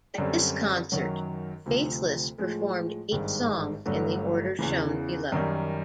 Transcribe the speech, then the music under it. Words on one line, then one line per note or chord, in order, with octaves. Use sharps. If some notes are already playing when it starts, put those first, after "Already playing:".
At this concert, Faithless performed eight songs in the order shown below.
F#2 D3 G3 C4
F#2 D#3 F#3
D2 C3 F3
A2 F3 G#3
G#1 G2 D#3 G#3
G1 G2 D3 F#3 A3
E2 C#3 E3
F#2 D#3 G3